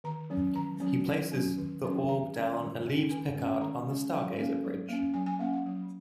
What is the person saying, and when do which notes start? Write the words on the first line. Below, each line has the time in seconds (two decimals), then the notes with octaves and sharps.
He places the orb down and leaves Picard on the "Stargazer" bridge.
0.04 D#3 A#5
0.30 F#3 C#4
0.55 D#3 A#5
0.80 F#3 C#4
1.06 D#3
1.32 F#3 C#4
1.58 D#3
1.82 F#3 C#4
2.08 D#3 A#5
2.34 G#3 C#4
2.60 D#3
2.85 G#3 C#4
3.11 D#3 G#5
3.35 G#3 C#4
3.61 D#3 A#5
3.87 G#3 C#4
4.12 F#3
4.38 A#3 C#4
4.64 F#3
4.89 A#3 C#4
5.14 F#3 G#5
5.26 G#5
5.39 A#3 C#4 F#5
5.53 F#5
5.66 F#3